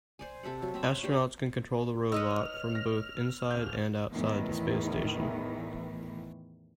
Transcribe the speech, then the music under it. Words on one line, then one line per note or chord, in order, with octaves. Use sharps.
Astronauts can control the robot from both inside and outside the space station.
C5 D5 G#5
C3 A4 E5 F#5
F#3
C4 E5 G5 A#5
C#5
D4 G4 C5
D#4 B4 C#5 D#5 E6 F6
A#6
D1 G6
E2 A2 D#3 E3